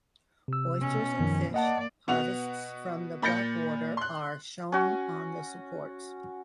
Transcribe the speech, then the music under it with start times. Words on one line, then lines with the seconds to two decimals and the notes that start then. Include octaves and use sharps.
Oysters and fish, harvests from the Blackwater, are shown on the supports.
0.48 C3 E6
0.80 B2 C#4
1.19 F#2 D#3 F3
1.54 A#3 D5 D#5 F#5 A5
2.08 B2 B3 F#4 F#5 F7
3.22 A#2 B5 G6 A6 A#6 C#7
3.97 C6 F#6
4.72 C#4 F#4